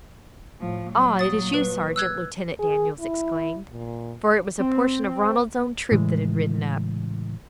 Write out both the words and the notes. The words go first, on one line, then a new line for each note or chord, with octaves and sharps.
"Ah, it is you, sergeant," Lieutenant Daniels exclaimed, for it was a portion of Ronald's own troop that had ridden up.
A2 F3
A#2 F#3
D#6 A6
B4
E6 F#6 G#6
G#4
E4
A#2
C4
A2 C#3 E3 G#3